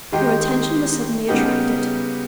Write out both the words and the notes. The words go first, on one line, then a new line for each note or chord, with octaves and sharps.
Her attention was suddenly attracted.
D#3 G#3 D#4 G4
C#3 G3 B3 D#4 G4